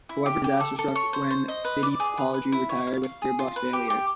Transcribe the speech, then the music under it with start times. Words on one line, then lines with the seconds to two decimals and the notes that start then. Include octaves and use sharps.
However disaster struck when Fittipaldi retired with gearbox failure.
0.09 E4
0.26 G4
0.44 G4
0.60 A4
0.79 A4
0.95 C#5
1.13 C5
1.30 C5
1.48 D#5
1.65 B4
1.83 D5
2.00 G#4
2.17 B4
2.34 B4
2.52 E4
2.69 C#5
2.87 F5
3.03 F5
3.22 G#4
3.39 F4
3.56 B4
3.73 G4
3.90 G4